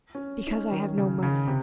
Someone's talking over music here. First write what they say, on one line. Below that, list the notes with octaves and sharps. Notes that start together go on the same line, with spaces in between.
"Because I have no money."
C#4
D#4
C#4
D#3
C#3
C#3
C3